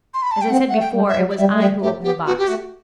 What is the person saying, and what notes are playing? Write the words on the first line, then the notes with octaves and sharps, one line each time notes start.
As I said before, it was I who opened the box.'
C6
B5
A5
G5
C4 F#5
A3 F#5
G5
G3
E5
F#3
D5
G3 E5
A3
G3 E5
A3 G4
B3 G4
B3 F#4
G4
A3 F#4